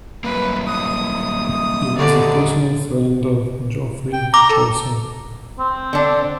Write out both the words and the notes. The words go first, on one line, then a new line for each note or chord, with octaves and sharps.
He was a personal friend of Geoffrey Chaucer.
F#3 G3 A#3 B4
D#6
D3 D#3 C#4 G4 D5
G5
A#5 D6
A4
C4
D3 D4